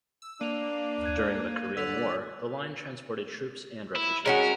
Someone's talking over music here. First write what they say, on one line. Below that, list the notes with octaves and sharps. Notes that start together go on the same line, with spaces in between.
During the Korean War, the line transported troops and refugees.
E6
A#3 D4 D#7 F7
F#6 G#6 D#7
D3 D5 E6 B6 F7
E4
G#3 C#4 F#4 A#4